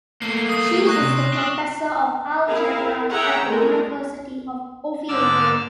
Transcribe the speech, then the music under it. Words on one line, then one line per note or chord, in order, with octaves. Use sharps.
She is the professor of algebra at the University of Oviedo.
A3 A#3 C7
D#6 C7
C#6 F#6 A#6
C3
D4
E4 G#4 A#4 F5
G#4 C#5 E5 F#5 G5 A#5
E3 G#3 A3 A#4
G#2 D3 D5 E6 F6 A6